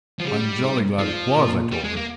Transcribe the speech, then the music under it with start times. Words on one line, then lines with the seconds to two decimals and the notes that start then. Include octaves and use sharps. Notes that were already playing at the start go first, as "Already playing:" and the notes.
"I'm jolly glad it was!" I told her.
0.20 F3
0.26 C#3 G3
0.61 G#2
0.99 G#2 F3
1.35 A#2
1.71 G3
1.84 G#3
1.96 A#3